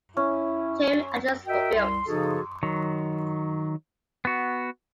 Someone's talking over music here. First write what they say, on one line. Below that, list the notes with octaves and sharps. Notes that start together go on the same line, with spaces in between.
Two "Atlant"s were built.
C#4 E4
F#4 A#4 D#5 E5 G5
C2 C6
C#3 F3 D#4 F#4 G#4 A4
D#3 F#3
B3 F#4